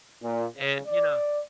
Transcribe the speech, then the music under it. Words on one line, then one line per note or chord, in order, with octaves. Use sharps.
and, you know
A#2
C#3
D5